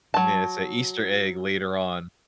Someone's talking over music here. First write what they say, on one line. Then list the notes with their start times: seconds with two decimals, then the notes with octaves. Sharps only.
Yeah. It's a Easter egg later on.
0.14 F#3 A5